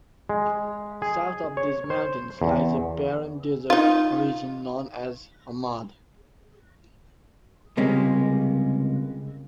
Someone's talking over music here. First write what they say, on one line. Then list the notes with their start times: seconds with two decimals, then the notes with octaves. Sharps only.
South of these mountains lies a barren desert region known as the Hamad.
0.29 G#3
1.02 G#4
1.57 C#5
1.90 C5
2.42 E2
3.70 D#4 F4
7.77 C#2 C3 G3 G#3 A#3 C#4